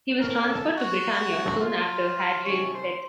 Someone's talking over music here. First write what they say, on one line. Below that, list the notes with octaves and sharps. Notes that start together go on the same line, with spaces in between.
He was transferred to Britannia soon after Hadrian's death.
A2 A3 C#4 A#4
A4
F#4
F#2 C#3 F3
F4
C3 D#3 A3 C#4 C#5
C5